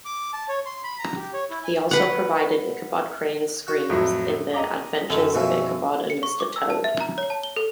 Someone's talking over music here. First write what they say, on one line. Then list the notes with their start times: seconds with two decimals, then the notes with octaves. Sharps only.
He also provided Ichabod Crane's screams in "The Adventures of Ichabod and Mr. Toad".
0.05 D6
0.33 A5
0.49 C#5
0.66 C6
0.84 B5
0.99 A#5
1.16 G4
1.34 C#5
1.50 E4
1.64 G#5
1.91 B4 F#5
3.68 F#4
3.90 F2 A2 F#3
4.54 D#5 A#5 D6
5.10 F#2 D3 D#3
5.35 B2 E3 F3
6.10 C#7
6.23 C#6
6.40 D6
6.56 E6
6.70 A5
6.84 E5
7.01 A#5
7.18 C#5
7.30 A5
7.43 G7
7.56 A4